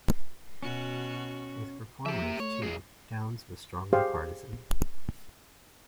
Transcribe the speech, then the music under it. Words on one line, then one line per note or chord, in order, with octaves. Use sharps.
With performers, too, Downes was strongly partisan.
B2 C#4 F#4
F3 G4 E5 A#5
A#3
A3 C#5
B1 G#4
G4 G#4 C5 F5 G#5